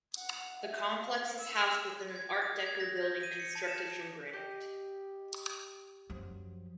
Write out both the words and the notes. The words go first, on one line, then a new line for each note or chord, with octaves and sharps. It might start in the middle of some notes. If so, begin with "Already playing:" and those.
The complex is housed within an art deco building constructed from granite.
F#5
E5
F5
E6
G#6
D#6
G#6
A#6
G6
D#7
C#7
A5
E7
G4 D#5
F#2 F3